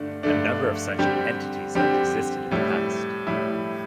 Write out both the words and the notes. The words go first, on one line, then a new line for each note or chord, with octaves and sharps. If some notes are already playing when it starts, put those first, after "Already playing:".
A number of such entities have existed in the past.
Already playing: G2 D3 A3 D4
G2 D3 A3 D4
D3 G3 C4 G4
D3 G3 C4 G4
A2 G3 E4
A2 G3 E4